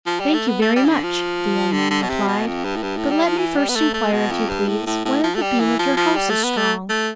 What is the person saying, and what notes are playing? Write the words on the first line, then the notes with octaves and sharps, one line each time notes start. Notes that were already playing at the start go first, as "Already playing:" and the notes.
"Thank you very much," the young man replied; "but let me first inquire, if you please, whether the beam of your house is strong."
F3
G3
A3
B3
A3
G3
E3
D3
F3
D3
D3
B2
C3
B2
F2
G2
A2
G2
A2
G3
F3
E3
G3
B3
A3
A3
B2
F2
G2
A2
A2
A2
F3
A3
G3
E3
F3
F3
G3
A3
B3
A3
A3